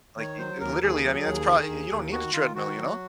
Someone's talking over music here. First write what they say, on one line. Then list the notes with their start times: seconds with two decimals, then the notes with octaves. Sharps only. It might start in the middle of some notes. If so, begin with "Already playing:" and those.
Like, i i literally, I mean, that's probably y you don't need a treadmill, you know?
0.17 D#3 C#5
0.38 F#3 C5
0.60 D#2 A#4
0.82 D#2 G#4
1.04 F#3
1.26 D#2
1.47 D#3
1.68 D#2
1.90 D#2
2.12 D#3 F#4
2.33 D#3 F4
2.55 D#3 F#4
2.77 F#3